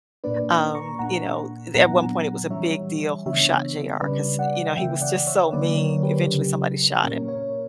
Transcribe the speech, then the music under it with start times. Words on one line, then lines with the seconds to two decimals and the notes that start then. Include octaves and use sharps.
um, you know, i th at one point, it was a big deal who shot J.R., 'cause, you know, he was just so mean, eventually somebody shot him,
0.24 A#2 A#3 D4 B4 D5
0.75 A#5 C#6
0.99 A#2 A#3 D4 F#5 A#5
1.74 A#2 F#3 B3 D4 F#5 A#5
2.50 E3 G3 C#4 C#5 E5
3.26 C#3 E3 B3 D4 C#5 E5
4.01 C#3 G3 C#4 B4 D5
4.39 D5 F#5
4.77 C#3 E3 A#3 C#4 E5 G5
5.01 D5 F#5
5.27 C#5 E5
5.52 D3 F#3 A#3 B4 D5
5.77 A#4 C#5
6.03 G4 B4
6.28 C#3 F#3 C#4
7.03 A#2 A#3 C#4 A#4 C#5
7.28 A#4 C#5